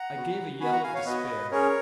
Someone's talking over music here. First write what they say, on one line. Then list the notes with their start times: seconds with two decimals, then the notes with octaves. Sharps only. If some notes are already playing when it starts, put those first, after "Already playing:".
I gave a yell of despair!
Already playing: F#5 A#5
0.14 B3 F#4
0.60 B3 F#4 G#5 B5
0.71 F#5 A#5
0.83 F5 G#5
0.94 C#5 F5
1.05 B3 F#4 B4 D#5
1.51 C#4 G#4 A#4 C#5